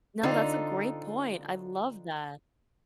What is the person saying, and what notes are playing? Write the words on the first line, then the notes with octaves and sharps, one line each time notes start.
No, that's a great point, I love that.
D3 C4 D#4 F4